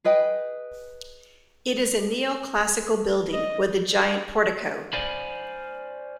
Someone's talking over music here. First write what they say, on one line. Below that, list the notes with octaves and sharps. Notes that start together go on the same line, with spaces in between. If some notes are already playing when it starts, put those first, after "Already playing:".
It is a neo-classical building with a giant portico.
G#4 B4 D#5 G5
D#5
C5 D5 F5 G#5 B5